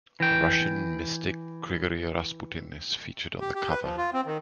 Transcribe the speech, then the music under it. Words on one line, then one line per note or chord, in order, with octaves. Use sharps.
Russian mystic Grigori Rasputin is featured on the cover.
E3 G5
G4
G4
B4
F3
F4
C4
D#3